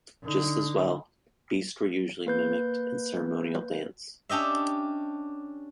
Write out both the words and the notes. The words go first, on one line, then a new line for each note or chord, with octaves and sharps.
Just as well, beasts were usually mimicked in ceremonial dance.
D3 D#4
A#3 B4 G6
C#4 D4 G4 D#5 E5